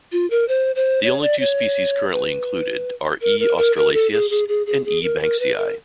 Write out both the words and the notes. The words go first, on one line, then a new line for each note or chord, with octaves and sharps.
The only two species currently included are "E. australasius" and "E. banksii".
F4
A#4
C5
C5
C#5
D5
C#5
B4
A#4
A#4
A#4
A#4
A4
G#4
G#4
G#4
G#4
G#4
A#4
A#4
B4
A#4